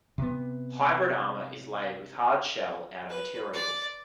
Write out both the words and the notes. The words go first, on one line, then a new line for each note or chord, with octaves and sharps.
Hybrid armor is layered with hard shell outer materials.
C3 B3
B4
D5